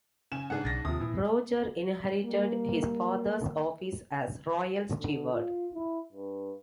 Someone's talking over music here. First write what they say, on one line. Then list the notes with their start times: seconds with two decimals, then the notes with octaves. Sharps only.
Roger inherited his father's office as royal steward.
0.32 C#3 G#5 E7
0.50 G#2 C#3 D4 G#4 F#5
0.65 B1 A6 A#6
0.85 D#2 C3 F3 D#6
1.00 A#2 E3
2.24 G3 A#3
4.98 D3
5.32 F4
5.74 E4
6.13 G2